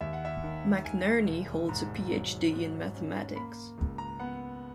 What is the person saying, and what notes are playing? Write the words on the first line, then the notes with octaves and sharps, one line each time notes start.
McNerney holds a Ph.D in mathematics.
D#2 E5
F#5
E5
D#3
D#2 G#5
E1
G#2 A#5
F#3
G#2
C#4
A#3 B5
C#2
A#5
B3 F#5